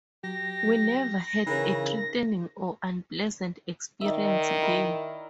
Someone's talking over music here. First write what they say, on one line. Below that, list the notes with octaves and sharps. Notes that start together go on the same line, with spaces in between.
We never had a threatening or unpleasant experience there.
F#3 G4 A#6
C#3 E3 D#4 A#4
D#3 D#4 D5 E5
E4 A#4